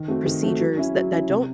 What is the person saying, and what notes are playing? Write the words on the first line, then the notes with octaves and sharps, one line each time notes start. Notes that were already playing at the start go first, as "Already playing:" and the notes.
procedures that that don't
Already playing: D#3
A3 C4 F#4
D#3
A3 C4 F#4
F#3
C#4 E4
F#3
C#4 E4
C3